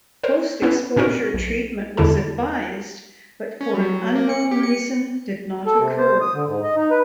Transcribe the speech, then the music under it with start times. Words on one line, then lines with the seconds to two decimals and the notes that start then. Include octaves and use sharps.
Post exposure treatment was advised but for an unknown reason did not occur.
0.24 A#4 C5
0.62 B3 C#4 E4 B4
0.96 A#2 C#4 D#4 F#4 A#4
1.34 B1
1.97 E2 D3 E4 A4 A5
3.61 C#4
3.74 F#3
4.15 A#3
4.29 C#7
4.51 G4
4.63 C#7
5.66 A4
5.79 C3
5.98 C5
6.21 D#6
6.34 D3
6.47 G#2
6.64 D#5
6.76 D#4
6.91 B4